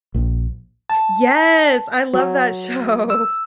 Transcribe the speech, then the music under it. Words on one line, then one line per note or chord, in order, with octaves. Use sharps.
Yes! I love that show.
A#1
A5
F#3
E6